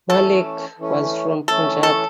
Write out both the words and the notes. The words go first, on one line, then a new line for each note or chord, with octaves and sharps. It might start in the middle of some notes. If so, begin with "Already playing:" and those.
Malik was from Punjab.
E3 A3 C#4 A4
E3 A3 C#4
E3 A3 C#4 A4
A4